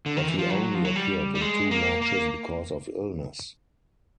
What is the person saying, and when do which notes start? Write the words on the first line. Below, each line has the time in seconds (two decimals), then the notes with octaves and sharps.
But he only appeared in two matches because of illness.
0.06 D3
0.17 D#3
0.28 E3
0.38 F3
0.50 F#3
0.74 F3
0.85 F#3
0.96 G3
1.35 G3
1.41 G#3
1.71 A#3
2.02 A#3